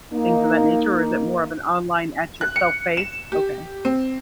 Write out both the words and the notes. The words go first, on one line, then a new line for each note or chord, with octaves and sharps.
things of that nature, or is it more of an online at your self-paced? Okay.
A#3 D#4
F#6
C#7
E7
G4
C4